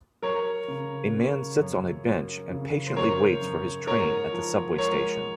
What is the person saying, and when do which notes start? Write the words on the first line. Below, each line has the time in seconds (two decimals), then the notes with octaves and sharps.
A man sits on a bench and patiently waits for his train at the subway station.
0.22 F#3 A#4 C#5
0.68 C#3
1.14 C#3
1.60 F#2
2.05 F#3
2.51 C#3
2.87 C5
2.96 F#2 A#4 C#5
3.42 F#2
3.87 G#2 A#4 C#5
4.33 F3
4.78 G#3 A#4 C#5